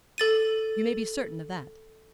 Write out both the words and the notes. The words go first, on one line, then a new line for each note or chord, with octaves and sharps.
You may be certain of that.
A4 A6 D#7